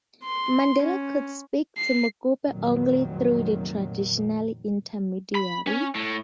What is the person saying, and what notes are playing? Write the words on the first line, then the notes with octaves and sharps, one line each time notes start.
Mandela could speak to Mokope only through the traditional intermediary.
C6
C#4
C7
F1 A#2 D#3 F#3
B5
C#4
A2